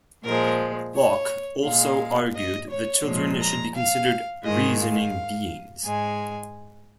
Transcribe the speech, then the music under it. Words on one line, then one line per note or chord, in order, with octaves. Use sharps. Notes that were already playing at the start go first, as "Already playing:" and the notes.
Locke also argued that children should be considered "reasoning beings".
A#2 F3 G#3 A#4
C#5
A#2 G#3 F5
D#5
C#5
A#2 F3 G#3
A#5
F5
G#2 D#3 G#3 D#5
F5
G#2 G#3 G#5